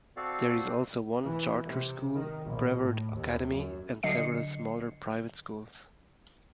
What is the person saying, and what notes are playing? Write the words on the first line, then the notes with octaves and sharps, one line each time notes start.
There is also one Charter School, Brevard Academy, and several smaller private schools.
C4 F#4 A4 D5 F5
E3
C3
D#3
A#1
A2
D#2
F#2
D3 F#3 D#5 C7 C#7